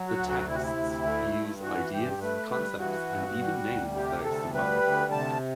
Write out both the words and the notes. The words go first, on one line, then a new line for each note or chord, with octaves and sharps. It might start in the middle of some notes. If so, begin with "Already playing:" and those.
The texts use ideas, concepts and even names that are symbolic.
Already playing: F#3
F#4
D2
F#4
C3 E4
F#4
E4
D2
A3
G2
E3 F#4
G2 G4
A3 B4
G2 B4
E3 F#4
G2
G3
D2
C3 G4
D2 A4
G3 B4
D2
C3 A5